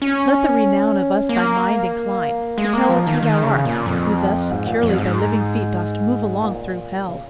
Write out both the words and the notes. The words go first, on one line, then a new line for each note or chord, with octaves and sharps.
Let the renown of us thy mind incline To tell us who thou art, who thus securely Thy living feet dost move along through Hell.
C#4
A#3
G#3
A#3
F3
D#3
D#3
C#3
A#2
F2
G#2
A#2
F2
G#2
A#2
C#3